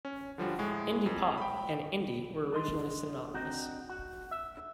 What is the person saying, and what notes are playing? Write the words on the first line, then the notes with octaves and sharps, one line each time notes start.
"Indie pop" and "indie" were originally synonymous.
C#4
D3 F3 G3 F#4
A2 G#3
F2
G5 B5
D4 G#4 D#5 C6
C4 D4 D#4 F#4
F#4
E5